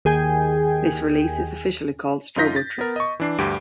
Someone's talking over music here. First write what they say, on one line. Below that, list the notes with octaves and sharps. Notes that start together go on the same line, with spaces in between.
This release is officially called "Strobo Trip".
D#2 G#4 G5 G#5
F#2 D#4 F4 G6 A#6 B6
A6
B3 A#4
D#5 C#6
E3 D4 C7
D2 G2 G4 D7